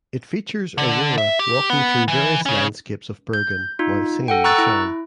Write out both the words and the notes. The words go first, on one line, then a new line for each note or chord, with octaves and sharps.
It features Aurora walking through various landscapes of Bergen while singing the song.
D3
E5
G4
B3
E3
C#3 C#4
G6
D#4 F4
A4 F#5 G5
A#5 C#6 E6 F#6 A6
E4